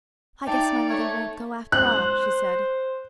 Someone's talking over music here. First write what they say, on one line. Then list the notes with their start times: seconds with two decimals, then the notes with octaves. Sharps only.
"I guess my mother won't go, after all," she said.
0.47 D#4 D5 E5 G5 A5
0.90 A3 C#5
1.72 C5 F#6